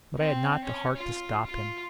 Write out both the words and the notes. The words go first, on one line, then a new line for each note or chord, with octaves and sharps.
But I had not the heart to stop him.
C4
C#4
F4
F4